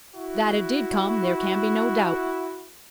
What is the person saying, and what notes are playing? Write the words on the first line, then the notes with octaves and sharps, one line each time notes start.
That it did come there can be no doubt.
E4 F#4